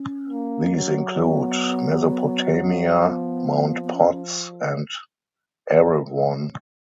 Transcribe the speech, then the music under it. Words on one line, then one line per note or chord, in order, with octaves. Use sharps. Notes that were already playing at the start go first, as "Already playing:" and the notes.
These include Mesopotamia, Mount Potts, and Erewhon.
Already playing: C#4
A#3
F#3
B3
F3 B3
B3
C#4